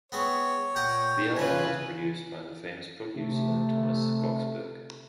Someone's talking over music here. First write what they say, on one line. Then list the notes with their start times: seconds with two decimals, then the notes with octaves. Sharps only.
The album was produced by the famous producer Thomas Skogsberg.
0.12 B3 C4 G#4 C#5
0.76 A#2 F#5 G5 A#5 D#6
1.37 C#3 E3 C#4 F4 B4 G#5
3.16 C3 A3